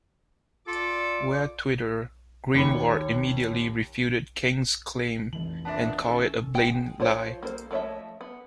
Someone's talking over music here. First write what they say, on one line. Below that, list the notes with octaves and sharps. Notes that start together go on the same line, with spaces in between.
Via Twitter, Greenwald immediately refuted King's claim and called it a "blatant lie".
F4 A4 D5 D6
D#2 C#5 B5
F1 E3 F#7
A#2 B3 D4 E5 A5
D#3 C#4 A4
G#3 G5
F3 F4 C5 C#5
A#3 A4 A#4 C5
F3 A3 C#5 D#5 E5
B3